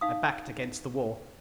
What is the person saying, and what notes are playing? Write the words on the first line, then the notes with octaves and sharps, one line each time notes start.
I backed against the wall.
D#4 F5 D#6